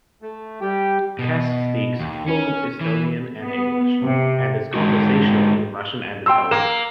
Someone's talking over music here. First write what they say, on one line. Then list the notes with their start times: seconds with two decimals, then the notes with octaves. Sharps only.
Kass speaks fluent Estonian and English, and is conversational in Russian and Italian.
0.22 A3
0.61 G3 G4 G5
1.19 B2
2.00 D#2
2.28 C#4
2.81 E3
3.40 B3
4.02 C3
4.74 G#3 D#4 F#4
6.26 G5 C6 E6
6.51 A#3 E7